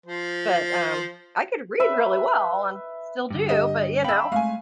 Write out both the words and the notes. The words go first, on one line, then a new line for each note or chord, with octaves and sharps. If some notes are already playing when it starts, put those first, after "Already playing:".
But um I could read really well and still do, but, you know,
F3 C5
B4 E5 B5
G2 D3
G4 D#5
F5 G5 B5 E6
G#3 A3 F5 G#5